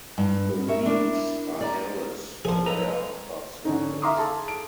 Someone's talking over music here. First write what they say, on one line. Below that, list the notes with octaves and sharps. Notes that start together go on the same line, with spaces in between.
The leaves are hairless on their upper surface.
G2
A#4 C#5 E5
D4 E4 A#4
D5 A#5
F2 A#2 F3 G#4 C5
D#3 F3 F#3 A4 B4 A#5
G#3
D3 C#4 D#4
E5 F5 A#5 C6 D6 D#6
G#4 A4 A5
D7